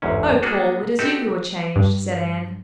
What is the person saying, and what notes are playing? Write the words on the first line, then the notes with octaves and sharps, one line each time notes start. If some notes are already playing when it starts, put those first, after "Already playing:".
"Oh, Paul, it is you who are changed," said Anne.
G1 E2 G#2 C#4
A#3 B3 D4 F#4 G#4 A4
C4 D#4 F#4 G4 A4
G2